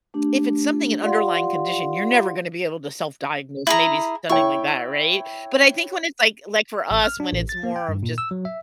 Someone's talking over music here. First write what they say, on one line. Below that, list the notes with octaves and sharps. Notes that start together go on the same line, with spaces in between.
if it's something an underlying condition, you're never gonna be able to self-diagnose, maybe something like that, right? But I think when it's like like for us, when it's more of just
A3 D4 G4
F4 G4 D5 F5 F#5 C6
E4 G#4 A#5
E4 C#5 G5 C#6
A1
F6
D4
A1
A6
A#3
G5
G2
A#2
E6
F#3
E5